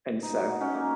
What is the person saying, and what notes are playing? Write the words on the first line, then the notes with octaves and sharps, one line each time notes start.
And so
D#4
F#4
C#4
A#3